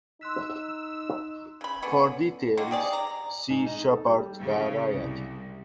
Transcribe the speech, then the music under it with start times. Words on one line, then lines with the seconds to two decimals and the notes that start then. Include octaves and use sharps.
For details see Schubert variety.
0.21 D#4 C6 E6 F#6 B6
1.61 C#3 B5
1.82 D3 B3 C#4
2.57 D3 D#3 A#3
2.71 G4 G#4 D5
2.93 A#5
3.50 G#2
3.66 D#4
3.86 A4
4.06 G3
4.43 C#3
4.90 C2